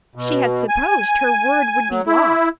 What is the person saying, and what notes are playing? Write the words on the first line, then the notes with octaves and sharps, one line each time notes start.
She had supposed her word would be law.
B2
G#5
F#3
E4